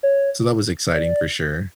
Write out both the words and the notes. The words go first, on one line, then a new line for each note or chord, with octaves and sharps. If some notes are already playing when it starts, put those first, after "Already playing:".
So that was exciting, for sure.
C#5
D5